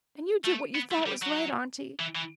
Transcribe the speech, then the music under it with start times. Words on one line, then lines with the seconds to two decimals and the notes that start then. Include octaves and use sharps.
And you did what you thought was right, Auntie.
0.45 A3
0.75 B3
0.91 A3
1.06 G3
1.22 F#3
2.00 E3
2.15 E3